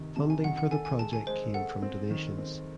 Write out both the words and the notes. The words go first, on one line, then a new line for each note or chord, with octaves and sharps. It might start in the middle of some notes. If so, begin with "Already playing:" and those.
Funding for the project came from donations.
Already playing: C3 D#3
C3 A5
G#5
D#3 F#5
F#5
A4 G#5
G#5
G#3 A5
G#5
G#3 C5
A4 F#5
C4
D#3
C4